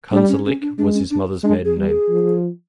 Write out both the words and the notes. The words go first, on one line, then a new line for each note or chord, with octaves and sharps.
Konsalik was his mother's maiden name.
G3 D4
C#4
C#4
D4
G#3 D4
C#4
D4
G#3 D4
G#4
G3
G#4
F3